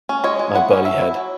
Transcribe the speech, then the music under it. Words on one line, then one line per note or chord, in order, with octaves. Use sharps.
my buddy had
C#4
G#3 C#5
G#3
E4 F#5
C#4
F#3 E5
E4
F#3